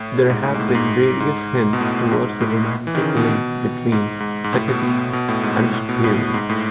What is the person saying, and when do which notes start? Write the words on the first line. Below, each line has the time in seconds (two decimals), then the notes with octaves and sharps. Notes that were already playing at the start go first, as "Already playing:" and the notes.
There have been various hints towards a romantic link between Seccotine and Spirou.
Already playing: A2
0.30 G#2
0.44 A2
0.54 G#2
0.60 A2
0.75 G#2
1.20 G#2
1.73 B2
1.81 A2
2.11 G#2
2.41 A2
2.87 E3
2.95 D#3
3.02 C#3
3.16 B2
3.92 G#2
4.20 G#2
4.44 G#2
4.53 A2
4.68 B2
5.13 B2
5.29 A2
5.43 G#2
5.59 A2
5.74 A2
5.89 B2
6.04 A2
6.34 G#2
6.50 A2